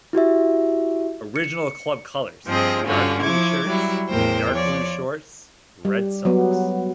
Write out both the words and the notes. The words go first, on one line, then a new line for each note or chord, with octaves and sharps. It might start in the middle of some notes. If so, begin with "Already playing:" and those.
Original club colours: Dark blue shirts, dark blue shorts, red socks.
E4 F#4 G4 E5
C#7
G2 F3 C4 G#4 D#5
G2 D3 C#4 F4 F#4
F3 E4 C#6 D6 G#6
F#3 G3 E4
E2 A2 A#4 C5 G5
F3 C#5 D5
G3
F#3 B3